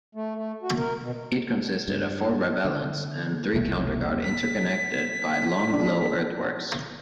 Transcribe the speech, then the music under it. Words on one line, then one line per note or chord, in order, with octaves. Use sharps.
It consisted of four ravelins and three counter guard interconnected by long, low earthworks.
A3
A3
F#4
A#4
B2
G2
D3
E1 C2 A3
B6
D4